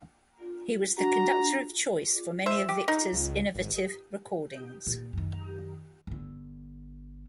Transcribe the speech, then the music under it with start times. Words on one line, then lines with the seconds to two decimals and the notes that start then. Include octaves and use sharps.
He was the conductor of choice for many of Victor's innovative recordings.
0.98 D4 F#4 A#5
2.46 C5 E5
2.69 G4
2.88 D#4
3.12 C#2
3.54 G#1
4.87 A#2
5.13 F#2 D#3
6.07 G1 D3